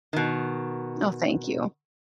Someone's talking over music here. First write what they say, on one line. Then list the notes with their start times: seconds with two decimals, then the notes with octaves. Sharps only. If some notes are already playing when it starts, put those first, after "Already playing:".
Oh, thank you.
0.13 B2 D#3